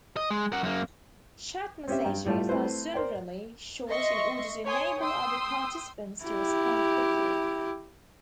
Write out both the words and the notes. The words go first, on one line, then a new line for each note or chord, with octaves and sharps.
Chat messages are generally short in order to enable other participants to respond quickly.
D#5
G#3
A#4 F#5
F#2 A#3
C4 C#4 G4 E5
G2 G5 A#5
A2 G3 A3 F4
A3 C4 E4 B4 C5
A#4 C5 D5 G5
D#5 E5 C6 C#6 A#6
C#5 G#5 C6 D#6
G5 C6 D#6 E6
E4 G4